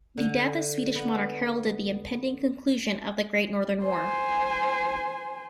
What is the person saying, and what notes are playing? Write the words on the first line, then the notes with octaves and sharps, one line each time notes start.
The death of Swedish monarch heralded the impending conclusion of the Great Northern War.
D3
B3
C5 G#5